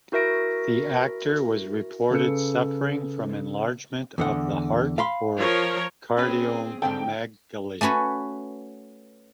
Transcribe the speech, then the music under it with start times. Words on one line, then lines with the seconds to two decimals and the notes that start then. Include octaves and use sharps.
The actor was reported suffering from enlargement of the heart or cardiomegaly.
0.12 E4 F#4 A#4 E5 A#6 D7
2.11 C#3 A4 B4 C#7
4.18 E2 D3 F#5
4.98 F5 B5 C6
5.37 F3 A#4 C#5
6.17 C4 C#4 G#4 B4
6.82 G#2 D3 C4 A4 G5
7.81 A3 C#4 F#4 B4 C#5